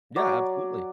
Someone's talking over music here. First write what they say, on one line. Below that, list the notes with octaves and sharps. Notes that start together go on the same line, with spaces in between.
Yeah, absolutely.
F#3 D5